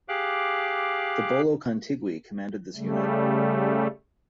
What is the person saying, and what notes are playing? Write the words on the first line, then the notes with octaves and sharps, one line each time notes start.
The bolo kun-tigui commanded this unit.
G4 G#4 F5 D6 F#6
C#3 G3 A3